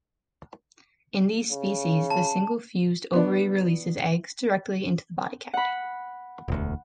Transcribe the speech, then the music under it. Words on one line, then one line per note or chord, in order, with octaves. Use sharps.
In these species, the single fused ovary releases eggs directly into the body cavity.
C#3
A5
B3 D4
F#5 B5
E1 D2